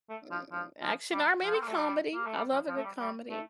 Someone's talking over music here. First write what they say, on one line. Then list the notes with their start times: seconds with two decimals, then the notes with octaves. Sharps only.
Mm, action or maybe comedy, I love a good comedy.
0.09 A3
0.31 F3
0.52 F3
0.82 F3
1.13 G3
1.44 F3
1.54 C4
1.62 A#3
1.68 A3
1.75 G3
2.15 A#3
2.27 A3
2.37 G3
2.53 F3
2.68 F3
2.77 A3
2.84 G3
2.99 G3
3.31 A3